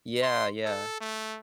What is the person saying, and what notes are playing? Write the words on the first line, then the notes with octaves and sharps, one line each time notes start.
Yeah, yeah.
C6
A4
A3